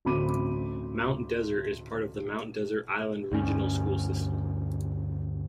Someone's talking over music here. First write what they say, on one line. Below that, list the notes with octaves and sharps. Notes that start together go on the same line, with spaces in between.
Mount Desert is part of the Mount Desert Island Regional School System.
A1 D2 C4 B5 D6 D#7
D2 G2 C#4